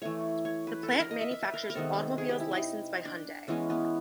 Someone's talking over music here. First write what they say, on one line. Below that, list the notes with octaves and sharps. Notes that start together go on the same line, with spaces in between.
The plant manufactures automobiles licensed by Hyundai.
E3 A3 C#5
C#5
B4
A4
A#4
A#4
D#5
E5
E5
B4
A#4
A#4
C3 D#3 G#3 B3 A4
G#4
G4
E4
D#4
D4
E3 G#3 B3 C#4
B3